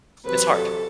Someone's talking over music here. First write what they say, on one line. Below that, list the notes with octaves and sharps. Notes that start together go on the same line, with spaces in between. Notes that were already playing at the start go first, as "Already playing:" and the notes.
it's hard.
E2 C3 F#3 B4
A4